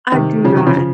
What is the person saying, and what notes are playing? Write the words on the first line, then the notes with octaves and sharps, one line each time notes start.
I do not.
C3 D#3
C#3 F3
C3 D#3
C#3 F3
C#3 F3